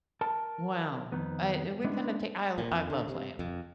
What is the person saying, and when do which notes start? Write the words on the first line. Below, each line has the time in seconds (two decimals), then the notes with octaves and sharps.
Wow. Uh, i what kind of ta I I love lamb.
0.21 A#4 A5
1.12 F2 D#3 B3
1.84 G#3 B3 C#4 D4 E4
2.58 A#2
2.71 F2
2.90 D3
3.09 C3
3.39 F2